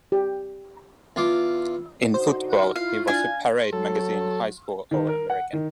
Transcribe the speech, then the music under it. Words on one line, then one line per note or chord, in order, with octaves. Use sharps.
In football, he was a "Parade" magazine high school All-American.
G4
E2 F4 F5 D6
D3 D#4 F#4 C5
E4 F4 F5
D4 F5 G#5
F#3 A4
D#3
A#4
F#5
D#3